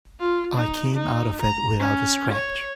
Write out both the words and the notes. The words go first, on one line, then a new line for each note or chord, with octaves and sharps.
I came out of it without a scratch.
F4
D#4
D#4
A#5
C#4
C#5